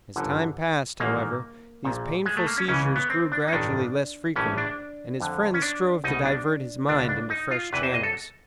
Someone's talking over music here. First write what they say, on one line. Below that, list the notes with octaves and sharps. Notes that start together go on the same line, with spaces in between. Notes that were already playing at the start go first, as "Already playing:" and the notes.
As time passed, however, these painful seizures grew gradually less frequent, and his friends strove to divert his mind into fresh channels.
G1 F#2 D3
A1 G#2 D#3 A#3
A#1 A#2
G#3
A3
A#3
C#4
C#2 C#3 E3 C#4
B3
C4
D4
D#4
A1 G2 D#3 D4
A#1 A2 E3 C#4
D4
F2 D3
C#4
D4
C2 B2 D#4
D4
C#2 B2 D4
D4
D#4
F4
E2 C3 E3 B4
C5
D#5
A4